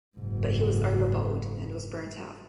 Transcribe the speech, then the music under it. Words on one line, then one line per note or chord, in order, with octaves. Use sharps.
But he was over-bowled and was burnt out.
F#1 G#2